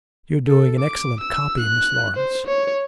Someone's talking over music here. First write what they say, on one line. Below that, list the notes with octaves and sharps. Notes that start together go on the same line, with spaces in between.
'You're doing an excellent copy, Miss Laurence.'
A4
D6
E6
F#6
C5
C#5